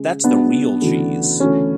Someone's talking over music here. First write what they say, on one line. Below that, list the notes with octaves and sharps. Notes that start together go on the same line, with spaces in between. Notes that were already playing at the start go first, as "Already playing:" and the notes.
That's the real cheese.
Already playing: C#3 G#3
B1 B2 G#3 B3 D4
D2 C#3 E3 A3
D2 C#3 E3 A3 C#4